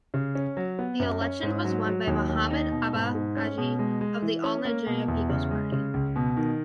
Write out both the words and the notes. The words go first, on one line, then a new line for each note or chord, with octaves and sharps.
The election was won by Mohammed Abba Aji of the All Nigeria Peoples Party.
C#3
C#4
F#3
B3
F#2
C#4
G#2
F#3
F#3
D#2
D#2
D#4
B2
G#2
G#2
C#4
B2
G#3
G#3
E3
C#4
A#3
B2
E2
C#3
G#3
C#3
C#2
B2
D#3